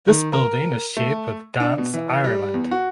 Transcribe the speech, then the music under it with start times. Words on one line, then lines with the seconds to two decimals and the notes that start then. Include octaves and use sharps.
This building is shared with Dance Ireland.
0.08 D#3
0.33 A#4
0.97 A3
1.60 D4
1.78 B2
1.94 E3
2.24 G3
2.54 E2
2.71 F#4